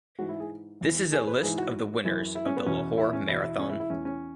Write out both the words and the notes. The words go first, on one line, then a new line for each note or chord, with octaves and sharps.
This is a list of the winners of the Lahore Marathon.
G#2 E3 F#4
E4
G#4
E2 E3
G#4
B4
G#2 E3 G#4
F#4
F#2 E3
E4
C#4
B3
E2 B2 C#4
E4
C#4
E2 B2 E4
E4
C#4
E4
E4
E2 E3 C#4
C#4